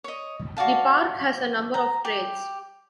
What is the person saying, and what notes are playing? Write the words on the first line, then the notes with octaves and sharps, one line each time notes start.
The park has a number of trails.
C#5 D#5
F#4 D5 F5 A5
A#5
G4